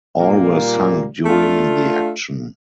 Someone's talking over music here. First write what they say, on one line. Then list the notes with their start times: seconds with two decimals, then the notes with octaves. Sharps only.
All were sunk during the action.
0.18 A#2 G3 A#3
1.25 A3 D4 F4